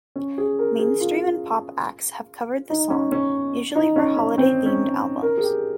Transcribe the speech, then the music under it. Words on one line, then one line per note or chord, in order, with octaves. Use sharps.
Mainstream and pop acts have covered the song, usually for holiday-themed albums.
C#4
G#4
A#4
G#4
F4
D#4
C#4
C#4
D#4
C#4
C#4
C4
C#4
A#4
G#4
G4